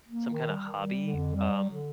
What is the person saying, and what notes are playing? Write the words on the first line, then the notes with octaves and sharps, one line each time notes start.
some kind of hobby, um,
A#3
D#3
G3
D#3
G3
D3
F2
G3
F#3
D3